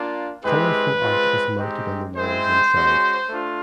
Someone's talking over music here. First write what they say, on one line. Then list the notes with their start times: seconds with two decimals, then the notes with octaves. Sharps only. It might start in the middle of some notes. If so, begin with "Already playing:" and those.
Colourful art is mounted on the walls inside.
Already playing: A#3 D4 F4
0.43 G#3 C4 E4 G4 B4
1.00 G#3 C4 F4
1.58 G#3 C4 D#4 G4
2.14 G#3 C4 E4 C5
2.73 G#3 C#4 F#4
3.30 A3 D4 F4